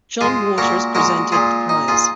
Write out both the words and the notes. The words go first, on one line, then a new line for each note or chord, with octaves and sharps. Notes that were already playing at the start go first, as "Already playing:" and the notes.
John Waters presented the prize.
G#3 F4 G#4
A#2 F#4 A#4
G#3 F#4 A#4
A#2 F4 G#4
D#4
F4 G#4